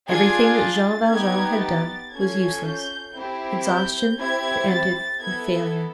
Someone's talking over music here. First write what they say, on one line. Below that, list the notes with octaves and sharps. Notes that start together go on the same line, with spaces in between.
Everything that Jean Valjean had done was useless. Exhaustion had ended in failure.
D4 F4 G#4 G#6
A6
B3 D#4 G4 G#6
A6
C#4 F4 A4 G#6
G6
C4 E4 G4
G6
C4 E4 G4 G#6
A6
B3 E4 A4 G#6